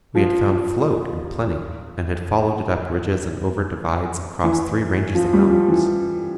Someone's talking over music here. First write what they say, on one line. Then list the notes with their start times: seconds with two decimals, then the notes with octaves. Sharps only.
We had found "float" in plenty, and had followed it up ridges and over divides across three ranges of mountains.
0.15 F3
4.44 E3
5.15 F3
5.33 G3
5.50 F3
5.68 E3